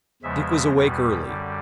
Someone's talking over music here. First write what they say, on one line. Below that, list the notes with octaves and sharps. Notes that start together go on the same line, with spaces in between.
Dick was awake early.
E2 C#3 F3 G#3 E5
E2 B2 G3
F#2 D3 G3